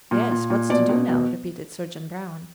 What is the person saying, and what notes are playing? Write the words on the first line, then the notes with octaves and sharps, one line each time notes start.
"Yes, what's to do now?" repeated Sergeant Brown.
A#2
A#2
A#2
B2 D5
B2
B2